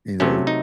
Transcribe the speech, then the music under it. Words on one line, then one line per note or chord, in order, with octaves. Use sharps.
you know,
C3 F#3 A3 C#4
D#4